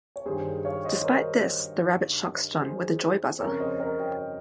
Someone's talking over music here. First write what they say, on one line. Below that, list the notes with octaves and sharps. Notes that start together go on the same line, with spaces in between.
Despite this, the rabbit shocks John with a joy buzzer.
C#5
G2 D#3 G#4 C5
C#5 F5
C5 D#5
C5
A#4 C#5
G#4 C5
F2 C#3 A#4 C#5
C5 D#5
A#4 C#5
D#5 G5